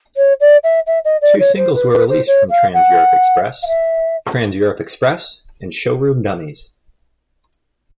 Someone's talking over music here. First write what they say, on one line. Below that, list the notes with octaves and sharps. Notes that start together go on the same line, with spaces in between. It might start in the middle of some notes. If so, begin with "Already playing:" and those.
Two singles were released from "Trans-Europe Express": "Trans-Europe Express" and "Showroom Dummies".
C#5
D5
E5
E5
D#5
D5
C#5
C5
B4
B4
C5
C#5
F5
F#5
F5
E5